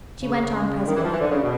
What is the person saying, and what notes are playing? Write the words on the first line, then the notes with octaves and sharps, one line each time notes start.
She went on presently.
C#3
D#3
E3
F3
E3
D3
C#3
B2